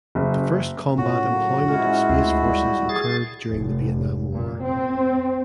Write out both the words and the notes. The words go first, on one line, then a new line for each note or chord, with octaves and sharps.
The first combat employment of space forces occurred during the Vietnam War.
F#1
A2 C#4 F4 F#4
C#3 F#3 A#3
G#3 C#4 E4 F4
D2 C4
G3
G#4 A6
F1
A#2
C4